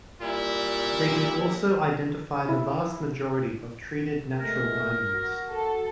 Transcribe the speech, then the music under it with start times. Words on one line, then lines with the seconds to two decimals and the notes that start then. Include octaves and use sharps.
They can also identify the vast majority of treated natural diamonds.
0.22 A#2 G3 E4
2.49 E4
4.40 B2 G#3 A3 A#4
5.14 F#4
5.51 A4